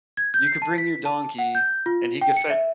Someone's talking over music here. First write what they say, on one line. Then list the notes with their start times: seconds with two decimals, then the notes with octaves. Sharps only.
you could bring your donkey and he could fetch"
0.17 G#6
0.34 G6
0.48 C7
0.62 A5
0.78 B6
1.05 A5
1.39 F#5
1.55 G6
1.86 F4
2.21 G5
2.37 C#7
2.50 E5